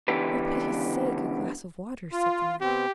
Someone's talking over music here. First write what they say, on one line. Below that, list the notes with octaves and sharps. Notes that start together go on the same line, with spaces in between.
"For pity's sake, a glass of water," said the man.
C#2 D3 E3 B3 G4 B4
F4
B2 C4 G4